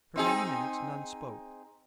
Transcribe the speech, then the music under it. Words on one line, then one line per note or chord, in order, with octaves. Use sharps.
For many minutes none spoke.
C4 D#4 G#4